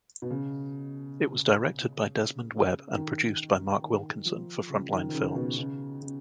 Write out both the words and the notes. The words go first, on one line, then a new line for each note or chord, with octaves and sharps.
It was directed by Desmond Webb and produced by Marc Wilkinson for Frontline Films.
B2
C#3
D#3
D#3
F3
C#3
D#3
D#3
C#3
B2
C#3
C#3